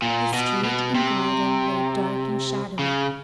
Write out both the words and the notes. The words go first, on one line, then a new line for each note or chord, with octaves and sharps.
The street and garden lay dark and shadowy.
A#2
B2
B2
C3
C#3